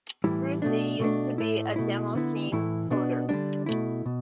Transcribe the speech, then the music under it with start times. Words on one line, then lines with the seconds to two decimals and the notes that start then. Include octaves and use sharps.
Brussee used to be a demoscene coder.
0.24 A2 E3 G3 E4
0.62 B2 A3 D4
1.00 B2 A3 D4
1.38 A2 A3 E4
1.76 B2 A3 E4
2.15 D3 B3 E4
2.52 A2 E3 A3 E4
2.90 B2 B3 D4
3.29 D3 G3 D4
3.66 B2 A3 E4
4.06 B2